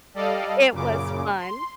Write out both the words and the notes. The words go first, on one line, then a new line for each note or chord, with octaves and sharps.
it was fun.
G3 A4 D5 D#5 F5
F#2 A#2 C#3 D6
C6